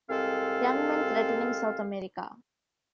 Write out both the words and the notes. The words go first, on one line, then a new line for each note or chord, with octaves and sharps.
Young men threatening South America!
C2 G#3 C4 A4 F5